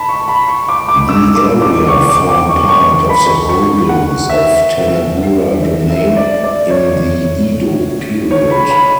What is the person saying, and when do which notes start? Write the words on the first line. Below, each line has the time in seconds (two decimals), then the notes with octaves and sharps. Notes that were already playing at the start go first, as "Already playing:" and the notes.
The area formed part of the holdings of Tanagura Domain, in the Edo period.
Already playing: A5 B5
0.09 C#6
0.28 B5
0.48 C#6
0.68 D6
0.88 D6
1.09 E6
1.36 D6
1.62 D6
1.88 C#6
2.09 D6
2.29 D6
2.49 C#6
2.69 C#6
3.09 B5
3.49 C#6
3.89 F#5
4.29 E5
5.90 E5
6.16 D5
6.44 D5
6.70 C#5
8.31 C#5
8.51 B5
8.71 B5